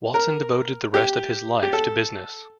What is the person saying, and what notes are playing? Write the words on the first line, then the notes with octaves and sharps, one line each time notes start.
Watson devoted the rest of his life to business.
A#4
G4
G4
A4